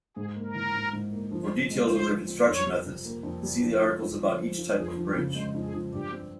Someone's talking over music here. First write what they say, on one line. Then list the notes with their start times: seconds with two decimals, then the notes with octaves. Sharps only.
For details of their construction methods, see the articles about each type of bridge.
0.16 G#2 G#4
0.36 A#3
0.45 A#4
0.55 E3
0.74 G#2
0.93 G#2
1.12 A#3
1.31 F3
1.51 C4
1.70 G#3
1.89 F4 C5
2.08 F3
2.28 C4
2.47 F2 C#5
2.66 G3
2.86 C3
3.05 A#3
3.23 F2
3.43 G3
3.62 F3
3.82 F4
4.00 C4
4.20 F3
4.39 F3
4.58 F4
4.78 F2 G#4
4.97 F3
5.06 G4
5.16 C#3
5.35 G#3 C5
5.54 F2
5.64 G#4
5.73 F3
5.93 G2 G4
6.12 C4